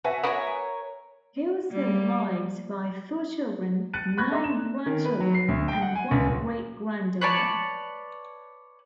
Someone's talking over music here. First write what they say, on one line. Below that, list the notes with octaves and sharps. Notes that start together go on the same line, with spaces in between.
He was survived by four children, nine grandchildren and one great-granddaughter.
F#4 B4 E5 G#5
B3 F#4 A#4 C#5
G3 A#3
F#6 A6 C#7 D#7
B5 C#6 F#6 G#6 A#6
D4 A4 D#5 E5 A#5 C6
E7
D#3
B4
F#3
C7
D2
G5
F#5
G#5
C#2
D#1
B4 C#5 D5 A5